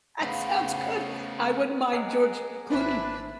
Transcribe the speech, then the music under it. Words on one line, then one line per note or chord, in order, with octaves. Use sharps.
That sounds good! I wouldn't mind George Clooney-
C#3 A3 B3 C5 F5 B5 B6
G#4 A#4 D#5 F#5 D6
G#1 B3 D4 E4 B4 C5 E5